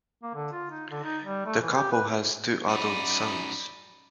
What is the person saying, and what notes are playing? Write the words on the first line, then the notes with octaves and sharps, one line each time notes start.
The couple has two adult sons.
A#3
D3
F4
D#4
D3
D#4
G3
A3
E3
G4
B4
F#2 D#4 D5 B5